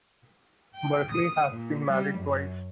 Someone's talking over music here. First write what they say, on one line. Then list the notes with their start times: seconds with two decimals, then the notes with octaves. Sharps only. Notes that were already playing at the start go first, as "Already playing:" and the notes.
Berkeley has been married twice.
0.74 G5
1.11 D#6
1.50 A#2
1.89 G3
2.18 F#2